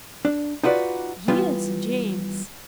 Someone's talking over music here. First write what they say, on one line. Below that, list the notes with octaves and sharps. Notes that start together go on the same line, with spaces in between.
Yes, James.
D4
D#4 F4 F#4 B4 D5
E3 G3 B3 F4